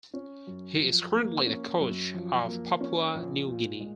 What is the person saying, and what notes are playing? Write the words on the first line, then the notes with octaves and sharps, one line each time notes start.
He is currently the coach of Papua New Guinea.
C#4
F#2
F3
A#3
C#4
F#2
F3
A#3
C#4
A#1
A#2
G#3